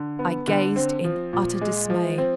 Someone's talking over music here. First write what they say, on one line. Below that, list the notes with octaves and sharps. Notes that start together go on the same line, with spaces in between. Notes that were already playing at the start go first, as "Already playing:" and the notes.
I gazed in utter dismay.
Already playing: D3
B3
D3
C4
F3
A#2
G#3
F3
C4